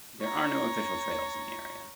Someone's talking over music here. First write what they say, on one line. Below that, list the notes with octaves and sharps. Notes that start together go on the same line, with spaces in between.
There are no official trails in the area.
C#5 A#5